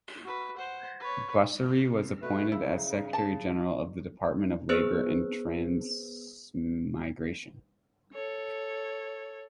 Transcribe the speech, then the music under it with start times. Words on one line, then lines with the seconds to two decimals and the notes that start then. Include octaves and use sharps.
Busiri was appointed as the Secretary General of the Department of Labor and Transmigration.
0.24 F#4 B4
0.57 C5 F#5
1.00 B4 C#5
2.22 B2 A3 B4
2.52 C#3 E4
3.13 A5
4.69 B3 G#4 B4 C5 E6 F#6
8.14 A4 C#5